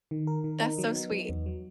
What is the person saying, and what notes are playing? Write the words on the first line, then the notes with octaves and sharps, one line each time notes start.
That's so sweet.
D#3
A#4
D#3
D#4
F#3
B3
F#3
E2
F#3